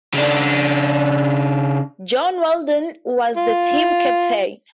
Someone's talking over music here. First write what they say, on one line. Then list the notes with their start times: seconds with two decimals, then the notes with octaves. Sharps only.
John Weldon was the team captain.
0.14 C#3 D4
3.37 F4